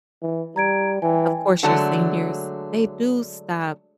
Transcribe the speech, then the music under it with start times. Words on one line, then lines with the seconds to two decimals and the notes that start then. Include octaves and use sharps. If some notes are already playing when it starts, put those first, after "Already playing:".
of course, your seniors, they do stop
0.22 E3
0.56 G3 A#5 G#6 D7
1.02 E3 G5 G#5
1.63 D3 F#3 G#3 A3 D4